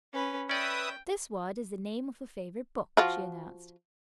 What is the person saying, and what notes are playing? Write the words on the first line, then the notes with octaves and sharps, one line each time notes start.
"This word is the name of a favourite book," she announced.
C#4 B4
C#4 B4 D5 E5 G5 D#6
F3 F4 F#4